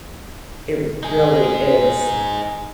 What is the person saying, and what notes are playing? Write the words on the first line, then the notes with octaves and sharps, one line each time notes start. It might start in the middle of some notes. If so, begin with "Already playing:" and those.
It really is.
D#4 G#4